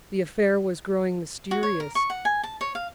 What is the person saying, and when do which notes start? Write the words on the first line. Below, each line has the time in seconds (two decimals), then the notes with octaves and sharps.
The affair was growing mysterious.
1.51 F#4
1.63 C#5
1.80 A#4
1.95 C#6
2.10 F#5
2.25 G#5
2.43 A5
2.61 C#5
2.75 F5